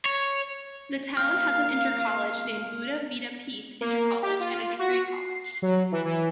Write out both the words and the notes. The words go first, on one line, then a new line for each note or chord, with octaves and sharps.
The town has an intercollege, named Buddha Vidya Peeth Intercollege, and a degree college.
C#5
A#3 F5 F6
A#3
G4
F4
F#4
C7
F#3
E3
E3